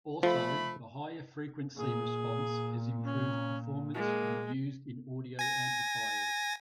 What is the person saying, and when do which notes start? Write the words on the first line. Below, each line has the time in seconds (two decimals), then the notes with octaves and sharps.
Also the higher frequency response has improved performance when used in audio amplifiers.
0.23 F3 A3 B5
1.77 A#2 G#4
3.03 C#4
3.94 G#3 A#3
5.39 G#5 A#6